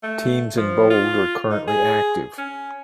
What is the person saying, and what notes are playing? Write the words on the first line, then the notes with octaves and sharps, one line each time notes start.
Teams in bold are currently active.
A3
F3
F4
D#4
G#4
C#4